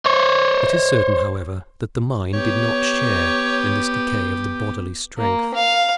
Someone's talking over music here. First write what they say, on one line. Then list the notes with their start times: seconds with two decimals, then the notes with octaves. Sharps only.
It is certain, however, that the mind did not share in this decay of the bodily strength.
0.06 C5 C#5
2.33 B3 G4 C#5
5.18 A#3
5.54 F5